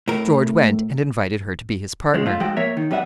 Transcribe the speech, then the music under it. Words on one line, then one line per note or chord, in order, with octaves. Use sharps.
George went and invited her to be his partner.
A2 A#4
C#3 F3 G#3
A3 F4
G#2 F3 F#4 A4 G5
A#3 A#4 C#5 E5
D#3
F2 G3 B4 E5 F#5